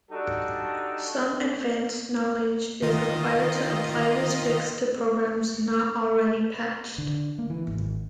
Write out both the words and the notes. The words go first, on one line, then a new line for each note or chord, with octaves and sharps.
Some advanced knowledge is required to apply this fix to programs not already patched.
G3 D4 D#4 F#4 A4
D#3 F4 D#5
D3
A#3
E3
G#1